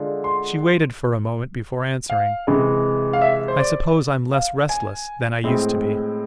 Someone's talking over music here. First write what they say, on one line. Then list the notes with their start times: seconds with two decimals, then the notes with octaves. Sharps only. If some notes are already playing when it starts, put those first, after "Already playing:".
She waited for a moment before answering: "I suppose I'm less restless than I used to be."
Already playing: D3 G#3 D4 F4
0.24 C6
2.10 F5
2.47 C3 E3 G#3
3.13 F5
3.21 E5
3.48 C5
3.59 D5
4.33 F5
4.69 G#5
5.44 A2 G#3 C4 E4